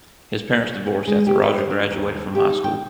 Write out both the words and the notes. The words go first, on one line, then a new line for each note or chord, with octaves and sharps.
His parents divorced after Roger graduated from high school.
F#4
C#4
G#3
G4
B4
C5
D4
D#2
G4
D#4
G5